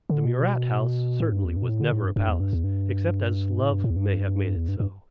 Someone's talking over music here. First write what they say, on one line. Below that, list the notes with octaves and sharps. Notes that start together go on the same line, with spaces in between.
The Murat house, certainly, was never a palace, except as love may have made it so.
D3
B2
A2
G2
E2
G2
B2
A2
D3
A2
G2
G2
E2
G2
E2
G2
A2
G2
A2
E2
G2
E2
G2
G2